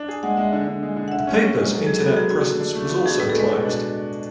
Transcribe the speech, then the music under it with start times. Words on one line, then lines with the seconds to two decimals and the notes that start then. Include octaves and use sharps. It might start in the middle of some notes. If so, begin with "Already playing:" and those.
The paper's internet presence was also closed.
Already playing: D4
0.08 G#4
0.23 G#3 F#5
0.37 G#3 E5
0.52 D3
0.67 D3
0.83 G#3
0.96 D3
1.08 F#5
1.12 D3 E5
1.27 C#4
1.42 C#4
1.56 G#3
1.72 F#3 A4
1.86 F#3 G#4
2.01 B3 A4
2.09 F#4
2.16 F#3 G#4
2.31 D3 F#4
2.46 D3
2.60 D4
2.75 A3
2.90 B3 F#4
3.05 D4 G#4
3.20 A2 B4
3.30 A4
3.35 G#3 B4
3.50 B2
3.65 D4